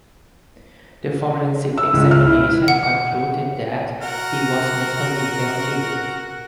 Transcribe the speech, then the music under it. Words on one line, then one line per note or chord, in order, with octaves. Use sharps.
The forensic examination concluded that he was mentally healthy.
E6
C#2
F6
E4
F#5
F#4 A#4 F#5